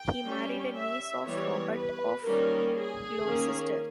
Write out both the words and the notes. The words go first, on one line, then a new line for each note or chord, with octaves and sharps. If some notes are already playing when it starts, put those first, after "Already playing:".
He married a niece of Robert of Gloucester.
Already playing: G5
G3 C#4
E5
E3 G3 B3 C#5
B4
D#3 G3 A#3 C#4 A#4
G#4
D#3 A#3 C#4